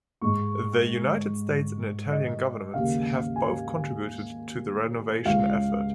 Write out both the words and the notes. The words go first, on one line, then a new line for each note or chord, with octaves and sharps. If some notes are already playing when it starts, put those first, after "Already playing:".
The United States and Italian governments have both contributed to the renovation effort.
G#2 G#3 D#4 C#6
D#5
D#2 C#3 A#3 F5
G#5
C#2 C#3 G#3 C#4 F5